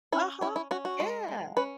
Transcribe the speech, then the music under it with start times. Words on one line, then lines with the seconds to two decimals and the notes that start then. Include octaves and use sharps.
Uh-huh, yeah.
0.12 C#4 E4
0.41 C#4 E4
0.56 E4
0.71 C#4 F#4
0.85 F#4
1.00 G#3
1.28 G#3
1.57 C#4 B4